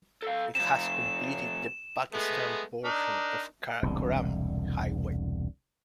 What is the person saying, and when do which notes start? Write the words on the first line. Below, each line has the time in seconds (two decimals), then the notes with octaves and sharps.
It has completed the Pakistan portion of Karakoram Highway.
0.22 A4 F5
0.55 C3 F3 E7
2.13 G#3 A3 B3
2.85 D4 D#4 A#4
3.83 E1 C2 D3